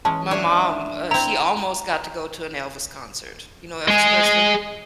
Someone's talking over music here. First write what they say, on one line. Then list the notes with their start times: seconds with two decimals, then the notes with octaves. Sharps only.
my mom, uh, she almost got to go to an Elvis concert, you know, Elvis Presley?
0.05 E3 G#3 C#4 A5
0.31 D4 C#5 E5
1.11 C4 E4 A#5
3.88 G#3 G#4